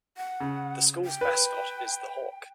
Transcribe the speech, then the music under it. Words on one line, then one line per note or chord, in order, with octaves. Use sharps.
The school's mascot is the Hawk.
F#5
C#3
G5
B4